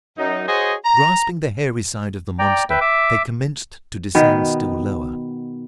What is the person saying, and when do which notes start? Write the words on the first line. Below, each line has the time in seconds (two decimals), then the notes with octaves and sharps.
Grasping the hairy side of the monster, they commenced to descend still lower.
0.17 F#2 D#4
0.47 F#4 G#4 C5 C#5 D#5
0.84 A#5
2.39 D5 G5 A#5
2.70 B4 E5 G5
2.81 E5 D6
4.15 B2 D#3 B3